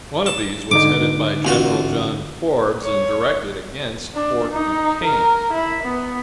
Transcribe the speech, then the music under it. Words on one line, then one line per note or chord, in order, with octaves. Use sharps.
One of these was headed by General John Forbes, and directed against Fort Duquesne.
A5
G#2 D3 D#4 D6
A1 F4 F#4
C#5
D4
D#4
A#4
E4
B3